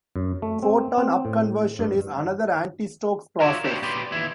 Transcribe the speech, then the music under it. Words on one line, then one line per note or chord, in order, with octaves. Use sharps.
Photon upconversion is another anti-Stokes process.
F#2
A3
C4
C4
A2
G2
F4 F#4 A#4 C#5 D5 E5
D4 E4 F#4 G4 C5 C#5
A#2 G4 B4 D5 C6
D#2 D#3 E3 E4